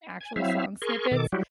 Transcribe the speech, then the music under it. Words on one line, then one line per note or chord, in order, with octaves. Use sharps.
actual song snippets,
G#5
F#3 C4 E4 E5 F5
G#4 A#4 C6 C#6
B2 D#3 A4 D6
F#3 G3 E4 F#4 G4